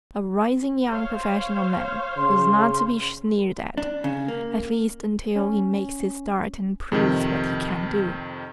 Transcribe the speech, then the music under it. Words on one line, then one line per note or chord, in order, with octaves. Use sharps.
A rising young professional man is not to be sneered at, at least until he makes his start and proves what he can do.
C5 C#5 F5
C#3 C6
D4
C#3
A#3
C#4
F2 C3 D#3